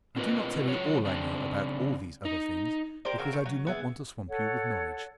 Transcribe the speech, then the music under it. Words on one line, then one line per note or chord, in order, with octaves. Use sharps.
I do not tell you all I know about all these other things, because I do not want to swamp you with knowledge.
C4 D4 F4 A#4 B4 D#5
C#3 F#3 F4 C#5
C#3 C4 D4
D#4
G4 A#4 C5 D5
C#3 C4 F#4 A#4
D#3
F#3
B3 G#4 E5
A4 C#5 F#5